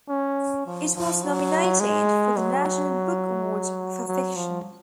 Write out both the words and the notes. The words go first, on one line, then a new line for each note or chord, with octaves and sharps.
It was nominated for the National Book Award for fiction.
C#4
F3
F3
F#3
G#3
F#3
F#3
F3